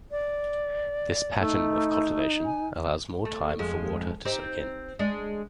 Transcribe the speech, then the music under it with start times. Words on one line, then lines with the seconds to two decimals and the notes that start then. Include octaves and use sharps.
This pattern of cultivation allows more time for water to soak in.
0.11 D5
1.39 A3 D#4
2.45 G#5
3.25 A3
3.59 F2 G#3
4.25 C4 D#4 G4
4.99 G#3 D4